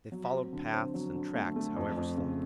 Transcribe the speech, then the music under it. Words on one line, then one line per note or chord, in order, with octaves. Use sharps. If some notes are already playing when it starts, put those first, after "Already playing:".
They followed paths and tracks, however slight.
F#3
C4
D3
C4
F#3
D3
A3
A3
F2
F2
C#3